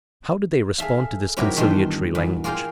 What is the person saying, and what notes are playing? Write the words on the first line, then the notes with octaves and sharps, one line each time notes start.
How did they respond to this conciliatory language?
G#4 A4 E5 F5
G#2 C3 F#3 E4 G4 A#4
E2 G2 B2 D#3 A5 C6
E2
A#3 F4 G#4 A#4 F5 G5